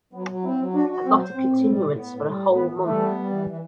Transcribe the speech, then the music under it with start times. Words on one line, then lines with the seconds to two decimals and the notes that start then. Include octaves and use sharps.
I got a continuance for a whole month.
0.13 F#3 B3
0.28 F#3
0.43 C4 E4
0.58 F#3
0.73 D4 F#4
0.89 F#4
1.04 F#3 C4
1.19 C5
1.34 A2 C4
1.50 A2
1.65 G3
1.79 A2
1.94 B3
2.10 A2
2.25 G3
2.40 A2
2.54 E3 B3
2.69 E3
2.85 G3 A3
3.00 B3
3.15 G3
3.30 E3
3.46 E3